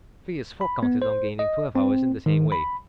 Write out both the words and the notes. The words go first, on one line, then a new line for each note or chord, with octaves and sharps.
Phileas Fogg counted on gaining twelve hours in the same way.
B5
B3
C5
D#5
C4
D#3
B5